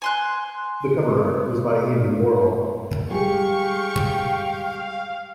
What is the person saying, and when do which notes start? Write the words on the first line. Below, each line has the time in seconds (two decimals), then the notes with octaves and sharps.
The cover art was by Andy Warhol.
0.02 G#5 C6 F#6
3.10 G3 G#3 G4 G#4 F5 G5 C#6